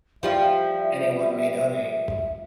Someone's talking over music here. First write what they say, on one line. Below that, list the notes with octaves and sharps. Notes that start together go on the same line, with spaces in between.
Anyone may donate.
F3 G3 F4 E5